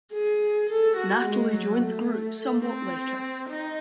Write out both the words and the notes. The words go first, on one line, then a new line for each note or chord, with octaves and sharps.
Nathalie joined the group somewhat later.
G#4
A4
F#4
G#3
F#3
A3
A3
C4
D#4